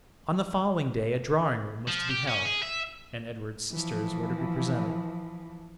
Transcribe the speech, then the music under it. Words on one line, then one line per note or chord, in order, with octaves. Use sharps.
On the following day a drawing-room was to be held, and Edward's sisters were to be presented.
F3
G4
C#4
G#4
E5
E3 F3